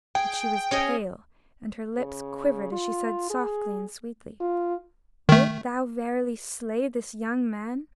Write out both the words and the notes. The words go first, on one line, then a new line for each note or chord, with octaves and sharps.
But she was pale and her lips quivered as she said softly and sweetly: "Wilt thou verily slay this young man?"
G#4 G5
C#4 G#4 D#5
C#3
F4
G#4
F4
D#3 A3